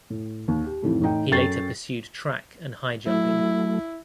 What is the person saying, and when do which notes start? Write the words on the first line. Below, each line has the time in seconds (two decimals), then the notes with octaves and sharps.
He later pursued track and high jumping.
0.10 A2
0.48 D#2
0.64 G4
0.83 F2 A2 D#3 E3
1.01 A2 E3 D#4 G5
1.31 F#2 A4 G5 C#6 A6 C7
3.07 F#3 A3 E4